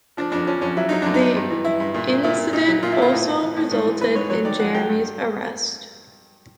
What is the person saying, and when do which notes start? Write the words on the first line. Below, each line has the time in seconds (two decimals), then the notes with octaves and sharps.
The incident also resulted in Jeremy's arrest.
0.17 F3 D4
0.32 F2 D4
0.47 F3 C#4
0.61 F2 C#4
0.77 F#3 E4
0.89 F#3 D#4
1.02 F#2 D4
1.14 D#4
1.21 F#2
1.36 G2
1.50 E3
1.65 E3 E4
1.80 G2
1.94 A#2
2.10 A#2
2.23 A#2 E4
2.38 A#2
2.53 A#2 D#4
2.68 F#3
2.83 A#2 F4
2.92 E4
2.98 A#2 F4
3.12 A2
3.27 A2
3.42 E3
3.56 A2
3.71 G#2
3.86 E3
4.01 E3 B4
4.15 G#2 C#5
4.30 F#3 C#5
4.45 D#3 D5
4.59 F2 F#5
4.74 F#3 G5
4.89 G2